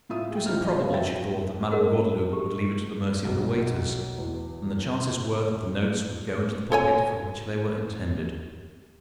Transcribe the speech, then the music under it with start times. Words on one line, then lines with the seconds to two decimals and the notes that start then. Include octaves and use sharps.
It was improbable, she thought, that Madam Gordeloup would leave it to the mercy of the waiters; and the chances were that the notes would go into the pocket for which they were intended.
0.09 A2 F4 E5 D#6
0.31 G#4 E5 G5
0.46 A2 F3 D#4 F6
0.65 D#5
0.79 B4 C#5 D#5 F5
0.93 E5 G5 A6
1.71 G#4 A#4 D#5 F#5
2.33 G4
3.25 B1
4.18 E2
6.72 A4 C#5 G#5